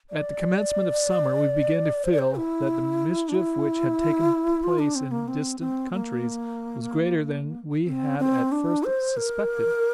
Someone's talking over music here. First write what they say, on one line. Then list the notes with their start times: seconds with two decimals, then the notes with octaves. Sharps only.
At the commencement of summer, we began to feel, that the mischief which had taken place in distant countries was greater than we had at first suspected.
0.10 D5
2.05 C5
2.12 D5
2.19 C5
2.37 E4
3.29 D4
3.34 E4
4.63 F4
4.79 D4
4.95 C4
5.11 A#3
5.28 C4
5.60 C4
5.92 A#3
7.87 C4
8.19 C4
8.52 D4
8.84 C5
9.17 A#4